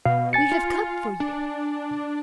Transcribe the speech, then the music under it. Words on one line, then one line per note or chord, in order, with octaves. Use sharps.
"We have come for you."
B2 F5
G#5 A6 C#7
F4
D4